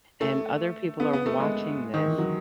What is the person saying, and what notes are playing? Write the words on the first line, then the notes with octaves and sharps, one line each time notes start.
and other people are watching this,
A3
B3
B3
A3
G#3
D#3
E3
F#3